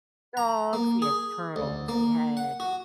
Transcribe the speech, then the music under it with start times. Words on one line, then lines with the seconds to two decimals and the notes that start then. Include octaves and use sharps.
dogs, we had turtles, we had
0.37 A#5
0.73 A#3
1.02 G#4
1.56 D2
1.89 A#3
2.37 F#5
2.60 F#4